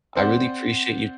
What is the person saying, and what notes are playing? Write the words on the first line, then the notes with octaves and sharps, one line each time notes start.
I really appreciate you
C4 C5 D5 F#5